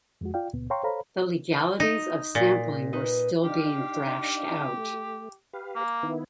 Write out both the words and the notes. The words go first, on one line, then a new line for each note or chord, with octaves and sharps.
The legalities of sampling were still being thrashed out.
F2 G#3 F#4
F4 D5 F5 G5
C#2 A#2 B3
C#5 F5 G5 A#5 C6 C#6
A4 C5 C#5 F5 A#5 B5
D#4
A#2
D#4 B4 D#5
D4 D#4 G4 F5
A3
G4 B4 F5
A#3
D#3 B3 E4